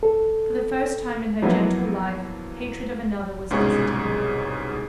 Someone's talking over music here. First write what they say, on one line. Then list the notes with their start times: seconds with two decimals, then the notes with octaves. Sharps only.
For the first time in her gentle life hatred of another was visiting her.
0.03 A4
1.42 F3 F#3 A#3 B3 E4 F#4
3.50 C2 G#2 B2 C#4 G#4 C#6